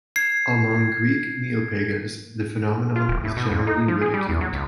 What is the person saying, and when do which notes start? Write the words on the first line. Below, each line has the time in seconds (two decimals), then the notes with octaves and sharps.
Among Greek neopagans the phenomenon is generally ridiculed.
0.16 G#6 C7
2.96 F4
3.09 D1
3.24 A2
3.37 B2
3.51 F2
3.67 D#4
3.88 F3
4.01 G#4
4.14 G3
4.29 E2
4.41 F#3
4.53 C#2